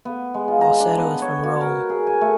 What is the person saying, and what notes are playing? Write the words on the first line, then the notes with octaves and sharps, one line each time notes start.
Rossetto is from Rome.
B3
G#3
F4
A#5
D4
B3
C#5
F#4
A#4
G#4
G#5
A3